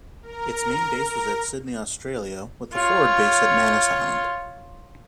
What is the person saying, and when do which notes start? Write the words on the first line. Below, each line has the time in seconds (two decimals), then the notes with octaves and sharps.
Its main base was at Sydney, Australia, with a forward base at Manus Island.
0.22 A#4
2.73 F4 C#5